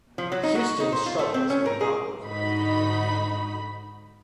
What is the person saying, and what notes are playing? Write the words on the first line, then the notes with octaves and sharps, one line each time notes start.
"Houston"'s troubles were not over.
F3
F#3
D#4
F#4
D#4
C5
F4
A3
C4
C#4
A#4
G#4
G#2 D3 D#4 F#4 B5